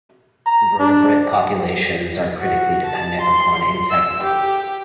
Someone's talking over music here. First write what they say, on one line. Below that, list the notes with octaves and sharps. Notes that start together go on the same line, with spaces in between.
Vertebrate populations are critically dependent upon insect numbers.
A#5
D4
F#4
A5
C6
E6
G4